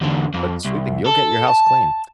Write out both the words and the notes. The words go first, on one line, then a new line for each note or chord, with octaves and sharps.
But sweeping, you'll get your house clean.
E2 D3
F2
C2
A4
A5